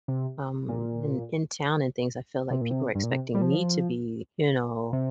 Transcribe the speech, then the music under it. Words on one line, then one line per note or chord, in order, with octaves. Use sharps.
um, in in town and things I feel like people are expecting me to be, you know,
C3
A#2
C3
A#2
C3
G2
A#2
C3
G3
F3
C3